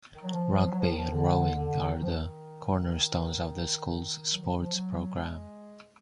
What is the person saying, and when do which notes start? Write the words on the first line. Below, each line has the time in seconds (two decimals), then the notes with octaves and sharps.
Rugby and rowing are the cornerstones of the school's sports programme.
0.11 D#3
0.22 F#3
0.31 F3
0.71 F#3
0.79 F3
0.88 D#3
0.96 F3
1.04 D#3
1.11 D3
1.51 D3
1.92 D#3
2.00 F3
2.09 D#3
4.32 F#3
4.41 F3
4.50 D#3
4.59 F3
4.72 F#3
5.13 G#3